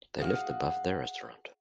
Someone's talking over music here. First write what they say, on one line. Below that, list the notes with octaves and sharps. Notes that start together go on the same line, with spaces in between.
They lived above their restaurant.
F#4 G#4 C5 F5 F#5